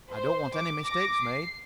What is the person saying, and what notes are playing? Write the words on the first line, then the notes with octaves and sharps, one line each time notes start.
I don't want any mistake made.
C5
D6
D6 A#6
C7